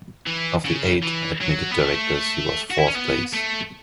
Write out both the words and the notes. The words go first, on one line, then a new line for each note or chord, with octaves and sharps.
Of the eight admitted directors he was fourth place.
E3
C#3
E3
F#3
B3
A3
F#4
E4
C#4
B3
A3